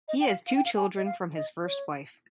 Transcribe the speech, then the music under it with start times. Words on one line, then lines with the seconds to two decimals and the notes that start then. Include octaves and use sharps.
He has two children from his first wife.
0.08 D#5
0.20 G5
0.28 F5
0.47 F5
0.55 G5
0.65 F5
0.76 G#5
0.97 D#5
1.05 F5
1.35 D#5
1.65 C#5